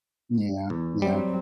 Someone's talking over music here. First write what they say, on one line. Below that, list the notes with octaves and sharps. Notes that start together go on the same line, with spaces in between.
Yeah, yeah.
E2
F#3 G3 C4